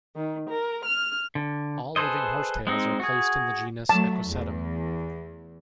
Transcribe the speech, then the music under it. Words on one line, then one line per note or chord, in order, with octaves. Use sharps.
All living horsetails are placed in the genus "Equisetum".
D#3
A#4
F6
D3
G#4 A4 B4 C5 D#5
G#3 C4 D#4
F#4 G#4
F#3 A3 A5
E2